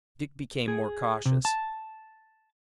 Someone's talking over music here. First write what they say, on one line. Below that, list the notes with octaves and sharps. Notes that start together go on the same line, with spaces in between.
Dick became more cautious.
G#4
C3
A5